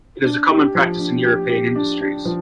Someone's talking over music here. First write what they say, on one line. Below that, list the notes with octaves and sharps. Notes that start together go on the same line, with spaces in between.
It is a common practice in European industries.
D4
G4
F3
D4
G4
G4
D4
D4
F3